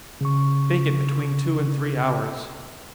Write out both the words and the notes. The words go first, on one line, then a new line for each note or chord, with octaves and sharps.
Bake it between two and three hours.
C#3 C#6